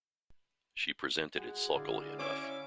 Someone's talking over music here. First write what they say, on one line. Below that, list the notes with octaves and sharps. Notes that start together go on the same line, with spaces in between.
She presented it sulkily enough.
G#3 F#4 G#5
D3 E4 D5 F5
C#4 C#5 E5 G#5 C6 D6 E7